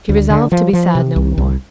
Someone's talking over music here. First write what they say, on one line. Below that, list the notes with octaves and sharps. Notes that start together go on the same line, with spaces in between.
She resolved to be sad no more.
D2
D3
F3
F3
C3
C2
C2